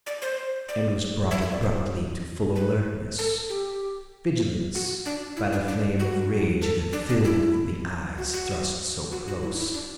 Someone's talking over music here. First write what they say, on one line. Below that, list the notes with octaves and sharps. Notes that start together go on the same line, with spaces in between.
And was brought abruptly to full alertness, vigilance, by the flame of rage that filled the eyes thrust so close.
D5
C5
D5
E5
E5
D5
C5
B4
A4
G4
F#4
D4
E4
D4
D4
F#4
A4
D4
D4
E4
F#4
F#4
F#4
F#4
E4
D4
E4
D4